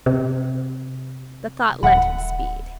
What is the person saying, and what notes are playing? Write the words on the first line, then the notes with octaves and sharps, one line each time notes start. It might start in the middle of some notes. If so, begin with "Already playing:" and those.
The thought lent him speed.
C3
D1 E5 F#5 B5